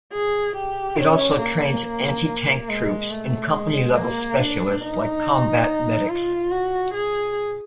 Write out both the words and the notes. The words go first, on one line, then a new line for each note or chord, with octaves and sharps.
It also trains anti-tank troops and company-level specialists, like combat medics.
G#4
G4
C#4
A#3
G#3
A3
G#3
A#3
D4
D#4
F4
F#4
G#4